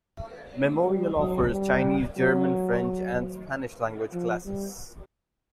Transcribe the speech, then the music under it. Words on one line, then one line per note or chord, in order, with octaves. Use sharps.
Memorial offers Chinese, German, French and Spanish language classes.
G3
F#3
G3
F#3
F3
G3